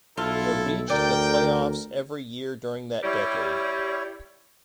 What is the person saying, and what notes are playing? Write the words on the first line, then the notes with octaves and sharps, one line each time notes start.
The reached the playoffs every year during that decade.
B1 E4 F4 A4
D2 A#4 D5 G5
G3 E4 C#5